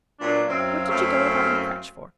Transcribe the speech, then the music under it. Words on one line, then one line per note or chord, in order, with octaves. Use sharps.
What did you go without your crutch for?
A#2 F#3 B3 D4
F#2 F#3 C4 E4 F5
F#2 A3 C4 C#4 E4 F5